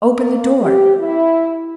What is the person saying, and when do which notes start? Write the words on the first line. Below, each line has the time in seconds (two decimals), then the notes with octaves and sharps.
Open the door.
0.18 A#3
0.61 G4
1.00 E4